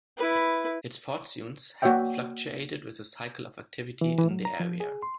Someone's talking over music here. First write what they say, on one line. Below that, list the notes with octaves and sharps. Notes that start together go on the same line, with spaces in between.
Its fortunes have fluctuated with the cycles of activity in the area.
E4 B4
A#3 F#4 C#5 D5 E5 G5
E3
E3
F#3
A#5
F3
G#4
C6